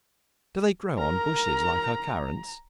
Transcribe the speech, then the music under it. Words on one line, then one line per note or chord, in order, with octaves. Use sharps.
Do they grow on bushes like our Currants?
A#4 A#5